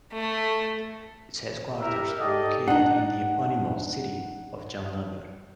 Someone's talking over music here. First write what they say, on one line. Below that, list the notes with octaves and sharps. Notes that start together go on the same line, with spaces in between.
Its headquarters are located in the eponymous city of Jamnagar.
A3
E4 G4 A#4 E5
D#4 G4 A4 D5 D#5
D4 D#4 F#5